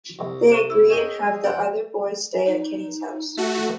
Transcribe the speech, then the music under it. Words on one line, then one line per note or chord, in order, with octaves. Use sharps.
They agree and have the other boys stay at Kenny's house.
C2
C5 C#6 E7
E4 E6
G#4 C#5 D#5 G5
C#4 F#5 G5 C6
D#4
A3 F#4